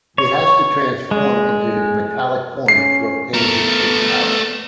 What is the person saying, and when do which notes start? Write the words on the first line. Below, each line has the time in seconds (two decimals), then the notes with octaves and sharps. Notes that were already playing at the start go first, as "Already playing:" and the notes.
He has to "transform into his metallic form" to obtain his superpowers.
0.18 C#5
1.11 G#3
2.68 C#4 C7
3.33 A3 B3 A#4